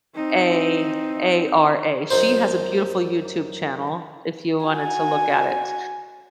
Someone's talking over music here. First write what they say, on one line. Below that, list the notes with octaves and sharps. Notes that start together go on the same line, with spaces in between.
V-A-A-R-A. She has a beautiful YouTube channel if you wanted to look at it,
C4 D#4
F#2 D#4 C5
F#4 G#5